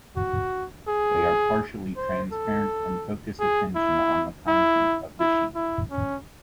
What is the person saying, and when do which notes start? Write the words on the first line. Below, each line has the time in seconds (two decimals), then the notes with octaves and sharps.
They are partially transparent and focus attention on the content of the sheet.
0.17 F#4
0.88 G#4
1.97 C5
2.32 A4
3.40 G#4
3.76 E4
4.48 E4
5.20 E4
5.55 E4
5.91 C#4